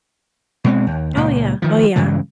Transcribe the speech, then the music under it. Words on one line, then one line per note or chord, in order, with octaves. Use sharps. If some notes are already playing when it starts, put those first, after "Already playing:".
Oh, yeah, oh, yeah.
B2 G#3 C4
D#2
C#2 A#2
D#3 F3
G2 C#3 E3 G#3